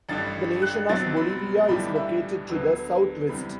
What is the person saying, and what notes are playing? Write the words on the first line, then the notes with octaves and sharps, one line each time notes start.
The nation of Bolivia is located to the southwest.
A1 G2 D3 G3 A6
F#6
B1 B2 F#3 C4 A6
B5
B1 A2 E3 G3 D4 B5
E5
D2 D3 F#3 B3
E2 C3 G3 B5